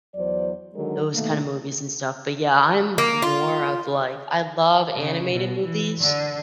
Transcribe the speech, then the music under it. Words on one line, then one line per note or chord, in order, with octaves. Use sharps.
those kinda movies and stuff, but, yeah, I'm more of, like I love animated movies,
E2 F#3 C5 D5
D3 D#3 F#3 G#3 A#4
B2 D#3 A3 A#3
A#3
F4
C#3
B2
E3
D3